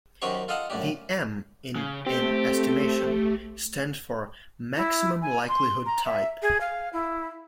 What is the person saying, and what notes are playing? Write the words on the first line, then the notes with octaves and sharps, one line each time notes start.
The M in M-estimation stands for "maximum likelihood type".
F#2 D#3 F#4 G4 C5 C#6
F4 A4 D#5 F5 F#5 A5
F#2 A2 D4 G4
C#3
A3 C4 G4
E4
G#5
C6
A#5
E5
G#4
F5
E4